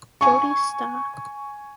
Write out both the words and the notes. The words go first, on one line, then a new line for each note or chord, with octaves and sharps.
Jodi Sta.
G#5 C#6